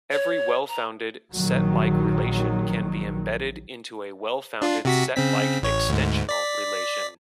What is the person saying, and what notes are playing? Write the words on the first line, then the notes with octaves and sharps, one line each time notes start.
Every well-founded set-like relation can be embedded into a well-founded set-like extensional relation.
C#5
A#5
A#1 D#3 F#3
D4 F4
C3 F#4 B6
C#3 C4 B6
A1 C#5
D2 G#2
D5 B6